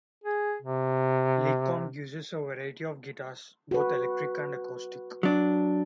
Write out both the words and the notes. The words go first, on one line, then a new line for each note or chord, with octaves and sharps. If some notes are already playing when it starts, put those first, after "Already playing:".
LeCompt uses a variety of guitars, both electric and acoustic.
G#4
C3
F#4 B4
F#3 D4